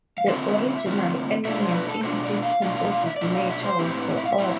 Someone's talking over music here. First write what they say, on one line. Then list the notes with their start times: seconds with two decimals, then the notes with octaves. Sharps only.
The original element in his composite nature was the oak.
0.18 F5
0.27 D3 A3 C4 F4 E5
0.86 D3 A3 C4 F4
1.45 B2 A3 D4 F4 E5
1.59 C5
1.74 B4
1.89 A4
2.03 B2 A3 D4 F4 C5
2.23 D5
2.42 F5
2.62 B2 A3 D4 F4 F5
2.76 F5
2.92 F5
3.06 E5
3.16 D5
3.21 B2 A3 D4 F4 E5
3.35 F5
3.50 E5
3.64 C5
3.79 A2 G3 C4 E4 G4
3.91 C5
3.99 B4
4.17 E5
4.26 F5
4.33 E5
4.38 A2 G3 C4 E4